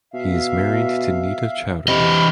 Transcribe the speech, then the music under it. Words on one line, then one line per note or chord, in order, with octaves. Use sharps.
He is married to Neeta Chaudhari.
B2 E5 F5
C3 E3 D#5 B5